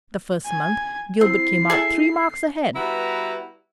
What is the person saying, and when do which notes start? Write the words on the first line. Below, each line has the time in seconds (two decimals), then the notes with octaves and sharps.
The first month Gilbert came out three marks ahead.
0.45 G#5 G#6
1.21 C4 E4 C7
1.70 G#4 A4 E5
2.76 G3 B3 E4 F#4 B4 A#5